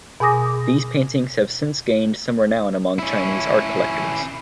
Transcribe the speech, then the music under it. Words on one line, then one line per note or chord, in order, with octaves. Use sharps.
These paintings have since gained some renown among Chinese art collectors.
B2 G#4 G#5 D6 D#6 A#6
C#4 E4